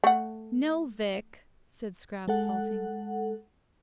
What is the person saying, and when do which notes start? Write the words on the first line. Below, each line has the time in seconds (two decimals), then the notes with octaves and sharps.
"No, Vic," said Scraps, halting.
0.04 A3 F#5
2.28 G#3 A4 F#5